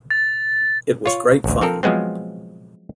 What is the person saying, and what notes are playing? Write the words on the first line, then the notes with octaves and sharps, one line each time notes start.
It was great fun.
A6
F4 C#5
A1 D2
F3 C4 A4 A#4
F3 F#3 G#3 B3 C4